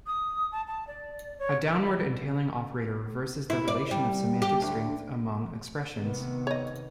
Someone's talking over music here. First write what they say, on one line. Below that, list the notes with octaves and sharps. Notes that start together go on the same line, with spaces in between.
A downward entailing operator reverses the relation of "semantic strength" among expressions.
D#6
A5
A5
D5
C#5
E4
D5
G3
G4
D2
C3 D#3 B3
C#5 D#5